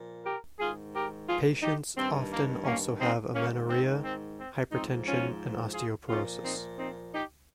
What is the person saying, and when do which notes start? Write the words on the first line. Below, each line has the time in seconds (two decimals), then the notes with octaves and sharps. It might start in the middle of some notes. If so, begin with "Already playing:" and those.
Patients often also have amenorrhoea, hypertension and osteoporosis.
Already playing: A#2 F3
0.23 G4 A#4
0.58 G#2 D#3 F4 G#4
0.92 G4 A#4
1.26 F4 G#4
1.61 D#4 G4
1.95 G2 D#3 C4
2.30 A#3
2.64 A#3 C#4
2.98 C4 D#4
3.33 G#2 D#3 A#3 C#4
3.67 C4
4.02 C4
4.36 C4
4.70 G#2 F3 C4 D#4
5.05 C#4 F4
5.73 F4 G#4
6.08 A#2 F3 C#4 F4
6.42 C4 D#4
6.76 C4 D#4
7.11 D#4 G4